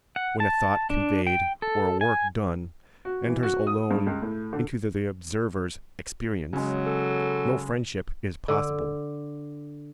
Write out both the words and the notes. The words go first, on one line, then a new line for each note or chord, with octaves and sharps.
When a thought conveyed or a work done enters alone into the observer's experience, no friendship is possible.
F#5
A5
D4
G5
A4
G#5
F#4
E3
F#4
D#6
G2
C#2
A2
D3
C#3 F#3 G#3
A4
D3